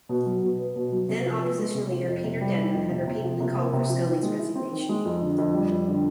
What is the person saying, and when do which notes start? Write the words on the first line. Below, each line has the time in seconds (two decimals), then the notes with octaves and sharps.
Then Opposition leader Peter Debnam had repeatedly called for Scully's resignation.
0.09 B2
0.26 F#3
0.43 B2
0.59 B3
0.76 B2
0.92 F#3
1.09 C3
1.26 F3
1.42 B3
1.59 G#3
1.75 C3
1.92 F3
2.08 F2
2.24 C3
2.41 G3
2.58 D#3
2.74 F2
2.90 C3
3.07 C3
3.24 F3
3.40 C3
3.56 A#3
3.73 C3
3.89 F3
4.06 D#3
4.23 G#3
4.39 E4
4.55 C4
4.72 D#3
4.89 G#3
5.05 F2
5.22 D3
5.38 F2
5.54 G3
5.72 F2
5.88 D3